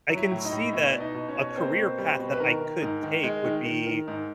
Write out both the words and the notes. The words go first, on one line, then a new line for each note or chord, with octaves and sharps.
I can see that a career path that I could take would be,
F#3
E4 E5
A2
D#4 D#5
A2
B2 E4 E5
B2 D5
D#4 D#5
B2
C#4 C#5
B2
C#5
A#3 C4 C5
B2
G3
B2
B4
D#3 A#4
D#3
G#2
D#3
G#3
D#3
D#3
D#3
G#2